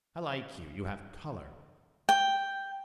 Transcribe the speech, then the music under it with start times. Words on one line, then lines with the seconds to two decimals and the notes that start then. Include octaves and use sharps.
I like you--you have color.
2.09 G5